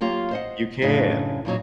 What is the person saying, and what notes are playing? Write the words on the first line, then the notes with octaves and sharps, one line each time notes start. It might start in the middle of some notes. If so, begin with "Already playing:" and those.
You can.
F#3 A#3 F4 G4
C5 D#5 F#5
F#2 A2 C#3 D4 D#4
F2 A#2 F#3 D#4